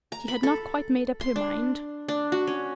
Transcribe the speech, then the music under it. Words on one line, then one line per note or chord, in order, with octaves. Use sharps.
She had not quite made up her mind.
A#5
B5
A4
C6
D4
D4
F#4
C#4